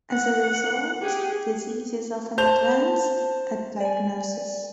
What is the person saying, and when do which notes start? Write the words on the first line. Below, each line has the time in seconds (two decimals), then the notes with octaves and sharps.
As a result, disease is often advanced at diagnosis.
0.11 F#5
1.02 G4 G#4
2.38 C5 A5 G6 F7
3.80 D5 G#5